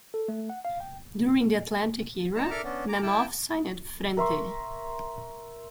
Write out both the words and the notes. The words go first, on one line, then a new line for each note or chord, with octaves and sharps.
During the Atlantic era, Mammoth signed Frente!.
A4
A3
F#5
F5
G5
D#4 A5 A#5
D4 A4 A#4 E5 D6 F6
B3 C#4 D4
A#5 D6
E4 G5 A5
A#4 E5 C6 C#6